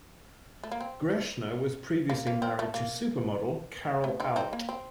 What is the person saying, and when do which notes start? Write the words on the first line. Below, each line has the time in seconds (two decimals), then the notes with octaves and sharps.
Greschner was previously married to supermodel Carol Alt.
0.64 A3
0.72 A#3
0.81 C4
2.10 A#3
2.27 A#3
2.42 C4
2.59 A3
2.74 A#3
4.04 A3
4.20 C4 D#4
4.36 C4 D#4
4.53 A#3
4.69 C4